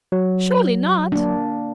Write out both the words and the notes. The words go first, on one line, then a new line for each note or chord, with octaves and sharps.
"Surely not?"
F#3
A#3 D4